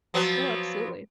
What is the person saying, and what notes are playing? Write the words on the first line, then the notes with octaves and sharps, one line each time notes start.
Oh, absolutely.
F3 F#3 B3